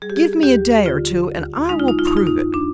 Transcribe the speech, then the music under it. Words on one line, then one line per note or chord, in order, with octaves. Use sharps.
Give me a day or two and I will prove it.
G3 G#4
G4
G#4
D#2 G4
D3 F4
D2
G#3 D#4
F4
D#4
F4
F2 D#4
F4
D#4
D4